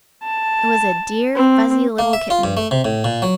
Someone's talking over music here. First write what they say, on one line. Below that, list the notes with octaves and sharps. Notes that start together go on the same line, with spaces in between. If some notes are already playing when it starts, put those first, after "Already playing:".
It was a dear fuzzy little kitten.
A5
C4
A#3
E5
F4
G2
A3
C3
A2
A#2
F#3